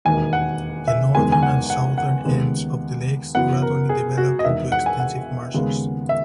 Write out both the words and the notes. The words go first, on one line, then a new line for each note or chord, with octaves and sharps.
The northern and southern ends of the lakes gradually developed into extensive marshes.
E1 D#2 D#3 A#3 G#5
F#5
E5
F#1 E2 D#3 G#3 B3 G#5
G#5
F#5
F#5
F#5
D#2 C#3 G#3 B3
F#2 E3 B3 F#5
A#4
G#4
F#4
D#5
E1 E2 D#3 E5
F#5
G#5
F#5
D#2 C#3 G#3 B3
E5